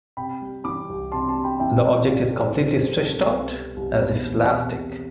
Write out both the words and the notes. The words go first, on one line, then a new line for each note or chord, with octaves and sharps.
The object is completely stretched out, as if elastic.
C3 G5 B5
G3
E3 B5 D6
C2
C3 A5 C6
A5 C6
G3
G5 B5
E3 E5 G5
C2
B2 D5 F5
C2 A4
A4 C5
G3 B4
C2 A4 C5
B2 A4
C2
G3 B4
C2
B2 B4
E2